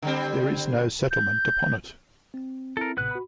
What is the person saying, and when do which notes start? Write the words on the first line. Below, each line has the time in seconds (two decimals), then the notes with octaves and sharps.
There is no settlement upon it.
0.02 D3 G3 C4
1.11 G6
2.34 C4
2.77 C4 E4 A4 A#4
2.97 A1 A2 C3 B3 B4 F#6
3.11 F#4 B5